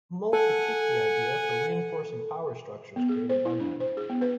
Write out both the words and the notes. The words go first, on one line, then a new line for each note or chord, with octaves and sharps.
Mull critiqued the idea for reinforcing power structures created by men.
A4 F#5 G#5
B3
G#4
C5
E4
D4
C5
G#4
B3
B4